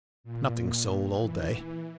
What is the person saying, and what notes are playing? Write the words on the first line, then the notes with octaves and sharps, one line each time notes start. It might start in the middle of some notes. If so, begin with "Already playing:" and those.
Nothing sold all day.
A#2
E3